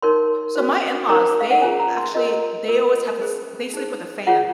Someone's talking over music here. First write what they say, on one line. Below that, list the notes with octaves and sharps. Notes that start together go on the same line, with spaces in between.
So, my in-laws, they actually they always have a s they sleep with a fan.
D#4 A#4 C#5 C6
C#4 F#4 C5
D#4 A#4 C#5 A#5
F5
F#5
C#4 F4 G#4 G#5
A#5
C6
F4 A#4 C#5 D#5
F4 A#4 C#5
C#4 G#4 C5
D#4 G#4 C5
F4 G#4 C#5 F#5